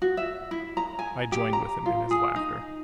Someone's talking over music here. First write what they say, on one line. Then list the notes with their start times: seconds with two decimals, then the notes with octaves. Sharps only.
I joined with him in his laughter.
0.02 F#4
0.17 E5
0.51 E4
0.77 A#5
0.99 G#5
1.32 G4
1.53 A#5
1.86 F4
2.11 G#4
2.36 D#4